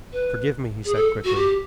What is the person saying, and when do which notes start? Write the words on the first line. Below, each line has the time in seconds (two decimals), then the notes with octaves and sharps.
"Forgive me," he said quickly.
0.13 B4
0.85 G#4
0.95 A4
1.24 F#4
1.36 G4